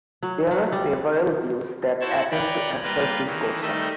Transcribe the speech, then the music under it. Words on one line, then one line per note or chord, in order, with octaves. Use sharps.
There are several views that attempt to answer this question.
F#3
F#3
G3
E4 F#4 C5 C#5 A5 C#6
B4 C#5 D5 G5 A#5 B5
G3 A#3 F4 B4
D#3 E3
D#3 G3 A3 D#5 E5